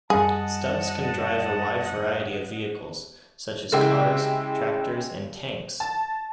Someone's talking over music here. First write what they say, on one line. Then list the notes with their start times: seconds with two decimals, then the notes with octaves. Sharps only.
Stubbs can drive a wide variety of vehicles, such as cars, tractors and tanks.
0.10 F#2 G3 G#4 D#5 F#5 A5
3.72 C#3 G#3 E4 G4
5.80 A5